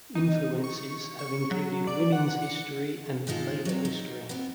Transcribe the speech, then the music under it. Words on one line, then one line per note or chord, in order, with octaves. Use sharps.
Influences have included women's history and labour history.
D#4
C#6
C#6
F#3
D5
F#5
C#7
D#3 G#3 D#4 F4 A4
C3 F#3
D#4
B3 C4